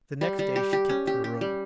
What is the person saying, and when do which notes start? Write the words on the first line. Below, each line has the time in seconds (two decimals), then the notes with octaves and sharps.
The next day she kept her room.
0.21 G3
0.39 G3
0.56 G4
0.73 G4
0.89 C#4
1.07 G4
1.24 G4
1.41 G3